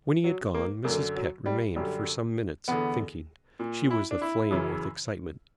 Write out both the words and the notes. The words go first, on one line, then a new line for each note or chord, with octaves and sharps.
When he had gone, Mrs. Pett remained for some minutes, thinking. She was aflame with excitement.
F#3
A#3
F#2 D3 A#3
F#3
G3
F#2 D3 G3
E2 D3 B3
A#2
E4
D4
E4
F#2 C#3 E3